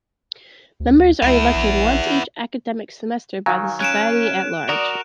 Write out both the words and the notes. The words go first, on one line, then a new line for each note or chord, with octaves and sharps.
Members are elected once each academic semester by the Society at large.
D2
C#2 B3 E4
A#1
D#3 F#3 F5 G#5 A#5
C#4 F#6 D7 E7
F#4 A#4 D5 D#6